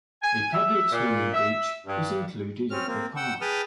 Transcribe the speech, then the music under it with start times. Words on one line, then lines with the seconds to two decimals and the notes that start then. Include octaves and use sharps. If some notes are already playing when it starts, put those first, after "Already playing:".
A public swimming beach is included in the park.
0.22 G#5
0.53 E5
0.92 A#2
1.33 E5
1.86 G2
2.70 C4 C#4 F6
2.87 A#3 C4
3.16 F#5 G5 E6
3.41 G#4 B4 G5 A5 D#6 F6